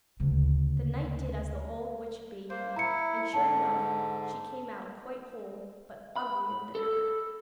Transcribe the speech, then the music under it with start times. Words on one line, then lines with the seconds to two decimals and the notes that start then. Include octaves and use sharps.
The knight did as the old witch bade him, and, sure enough, she came out quite whole, but uglier than ever.
0.20 D2 C#3
2.50 A#3 C5
2.76 E4 A#5 C#7
3.33 G#2 D3 A5
6.16 B5
6.75 A4